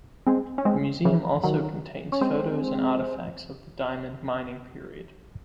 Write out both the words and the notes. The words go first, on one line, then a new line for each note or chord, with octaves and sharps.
The museum also contains photos and artifacts of the diamond mining period.
G#3 C4
C#4
G#3 C4
C#3 E3
D#3 F#3
C#4
G#3 C4